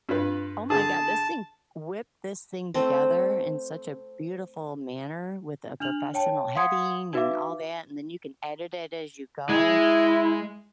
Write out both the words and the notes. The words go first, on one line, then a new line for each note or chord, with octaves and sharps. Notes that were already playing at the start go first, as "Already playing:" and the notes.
Oh my god, this thing whipped this thing together in such a beautiful manner, with a professional heading and all that, and then you can edit it as you go.
G2 F4 B4
D3 G#4 A5
A3 C4
D4 F6 F7 F#7
C#5 G5 A5
F5 F#5 C6 D#6 G#6 C#7
D#4 F#4 B4 E5 F5 D6
G#3 E4